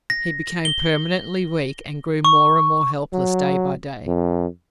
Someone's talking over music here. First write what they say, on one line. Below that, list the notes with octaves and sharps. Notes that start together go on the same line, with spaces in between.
He became permanently weak and grew more and more helpless day by day.
A#6
G7
C#6
F#3
F2